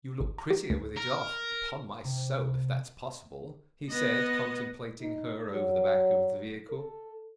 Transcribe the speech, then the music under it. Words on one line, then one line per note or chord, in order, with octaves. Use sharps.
"You look prettier with it off, upon my soul, if that's possible," he said, contemplating her over the back of the vehicle.
G#1
A#5
G4
D2
A#4
C3
B3 D#5
D#4
F#3
A4